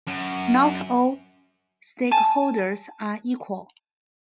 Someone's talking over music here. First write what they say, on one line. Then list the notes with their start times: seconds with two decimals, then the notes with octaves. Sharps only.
Not all stakeholders are equal.
0.08 F#2
2.11 G#5 A5